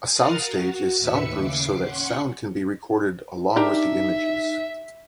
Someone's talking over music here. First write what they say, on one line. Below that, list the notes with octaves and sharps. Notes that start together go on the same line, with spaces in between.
A soundstage is sound-proofed so that sound can be recorded along with the images.
A#4 F5 F#5 D#6 F6 A6
F#4
D#2 A2 B4 E5 E6 C#7
C#3 D6 C7
C#4 F#5 C6 C#6
D4 D#4 G4 A#4 E5